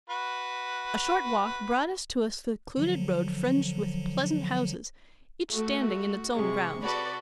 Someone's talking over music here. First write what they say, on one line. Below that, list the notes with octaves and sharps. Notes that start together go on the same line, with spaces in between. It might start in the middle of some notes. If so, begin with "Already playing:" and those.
A short walk brought us to a secluded road fringed with pleasant houses, each standing in its own grounds.
F#4 B4
D3 F3 F#3
A3 F#4
C3 G#3 C#6
F#4 A4 B4 D5 B5